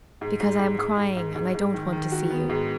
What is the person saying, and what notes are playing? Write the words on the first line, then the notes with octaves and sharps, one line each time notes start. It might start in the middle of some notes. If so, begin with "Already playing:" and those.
"Because I am crying, and I don't want to see you."
G#2
G#2
G#2
G#2
G#2
G#2
G#2
G#2
D#3
D#3
F#4
B3
G#2